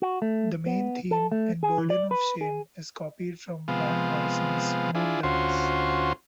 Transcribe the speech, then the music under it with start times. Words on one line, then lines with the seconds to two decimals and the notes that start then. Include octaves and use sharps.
The main theme in "Burden of shame" is copied from Van Morrison's "Moondance".
0.02 F#4
0.22 A3
0.66 B3
1.11 A4
1.32 A3
1.63 G#4
1.78 E3
1.90 D5
2.11 B4
2.41 G#4
3.68 C3 F3 G#3 B3 F5
4.95 D4 E4 F4 G#4
5.23 D2 C#4 F4 F#4 C5 C6